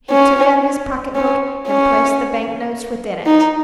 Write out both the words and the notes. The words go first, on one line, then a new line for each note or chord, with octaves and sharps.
He took out his pocket-book and placed the bank notes within it.
C#4
C#4
C#4
D#4